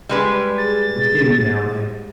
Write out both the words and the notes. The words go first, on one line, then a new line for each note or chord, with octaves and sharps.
It was dim down there.
G3 G#3 B4
G#4 A6